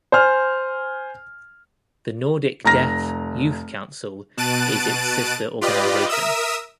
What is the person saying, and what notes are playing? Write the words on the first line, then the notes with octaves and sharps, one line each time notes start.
The Nordic Deaf Youth Council is its sister organization.
C5 G#5 F6
F1 A#5 F6 A#6
B2 A5 F#6 A6 D7 D#7
F4 G4 B4 D5 D#5
A#4 E5 D#6 E6